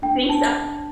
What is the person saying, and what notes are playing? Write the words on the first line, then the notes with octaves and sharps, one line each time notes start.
You think so?
D4 G5
D4 A5